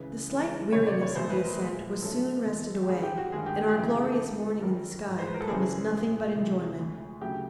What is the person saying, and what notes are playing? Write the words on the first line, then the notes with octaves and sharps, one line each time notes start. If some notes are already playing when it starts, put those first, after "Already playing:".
The slight weariness of the ascent was soon rested away, and our glorious morning in the sky promised nothing but enjoyment.
Already playing: C#2 C#3 E3 B4
E2 C#3 F3 G#3
E2 C3 D#3 G#3 C#5
D5
C#5
E2 B2 F#3 A3 C5
B4
A#4
A#2 F3 G#3
F#2 D3 F#3 A3 A4
E2 B2 G#3
G4
F2 D3 G3 G#4
G4
F#4
G2 D#3 G#3 G#4
G4
G#4
F2 C#3 E3 A3 G4
G#4
A4
F2 D3 F3
F#2 D#3 G3 A#4
G#2 F3 G#3
C5
B4
A#4
A4
F#2 C#3 E3 G#3 G#4
A#2 F3 A3
E2 C3 F3 A3
D2 D3 F3 G#3
D2 C#3 F#3 A3 G4